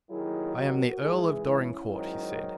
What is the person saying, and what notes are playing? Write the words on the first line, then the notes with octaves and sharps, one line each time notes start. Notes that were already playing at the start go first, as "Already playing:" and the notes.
"I am the Earl of Dorincourt," he said.
D#2 D#3 F#3 E4 G#4
F#4 A#4
G#2 E3 E4 G#4
C#4 E4
G#2 D#3 F#3